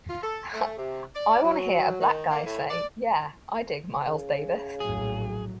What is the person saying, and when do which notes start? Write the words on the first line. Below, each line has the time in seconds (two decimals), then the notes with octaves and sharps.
I wanna hear a black guy say 'Yeah, I dig Miles Davis.
0.09 F4
0.22 A4
0.54 A3
0.78 C3
1.15 D5
1.43 F#3
2.01 D#3
2.31 A#3
2.46 A2
2.70 D5
4.06 C#3
4.80 A#1 A2 F#3 G#4